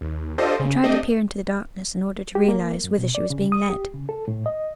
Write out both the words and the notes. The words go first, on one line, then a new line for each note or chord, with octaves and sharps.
She tried to peer into the darkness in order to realise whither she was being led.
D#2
D4 F4 G4 A4 C5 D#5
C#3
A3 C4 D4 G4 D#5
G4
A#3
F#2
B2
D5
C#3
D#6
G4
C#3
A4
A2
D#5